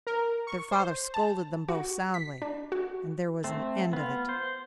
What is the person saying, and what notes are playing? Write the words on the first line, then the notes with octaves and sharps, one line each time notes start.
Their father scolded them both soundly, and there was an end of it.
A#4
C#6
C5
A5
F#4
B6
D4
F#4
A3 C4
B3 F4
C5